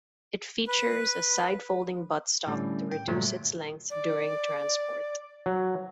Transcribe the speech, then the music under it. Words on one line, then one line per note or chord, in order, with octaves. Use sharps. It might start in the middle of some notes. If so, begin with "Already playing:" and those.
It features a side-folding buttstock to reduce its length during transport.
B4
A2 D3 G3 C#4
G5
G2 A#2 D3 F#3 G3 A3
D5
F#3